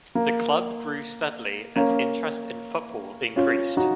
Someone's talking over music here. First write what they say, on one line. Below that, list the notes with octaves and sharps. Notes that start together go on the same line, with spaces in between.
The club grew steadily as interest in football increased.
A#3
A#3 C#4
C#4 F4
D#4 F#4